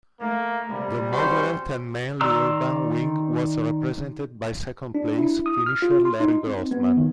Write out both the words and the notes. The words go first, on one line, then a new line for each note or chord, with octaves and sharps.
The moderate and mainly urban wing was represented by second-place finisher Larry Grossman.
A3 A#3
C3 G3
C#4 F#4 C5
D#3 D5 A#5 C6 E6
D4
E4
D#6
F6
F4
C6
D#4
C4
B3
D#3